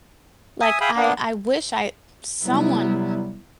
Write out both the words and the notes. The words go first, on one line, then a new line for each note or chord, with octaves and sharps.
Like, I I wish I someone
E5 G#5 D#6
G#4 E5 F5 G5 B5 D#6
A#3 B3 D4
C3 F#3 G3 B3 E4